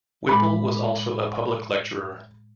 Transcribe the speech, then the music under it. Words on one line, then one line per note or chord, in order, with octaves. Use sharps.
Whipple was also a public lecturer.
A2 G#3 B5 D6